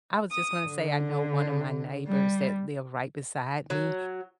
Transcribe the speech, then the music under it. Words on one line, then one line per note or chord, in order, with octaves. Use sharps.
I was just gonna say, I know one of my neighbors that live right beside me,
D#6
D3
G3
F#3